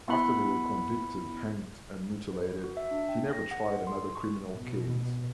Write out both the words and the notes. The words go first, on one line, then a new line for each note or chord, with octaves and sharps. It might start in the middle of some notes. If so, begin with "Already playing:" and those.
After they were convicted, hanged and mutilated, he never tried another criminal case.
B3 E4 F#5 B5
B4
F#4
E5
D4
G5
A#6
F#5
G#4
C6
C#6
B2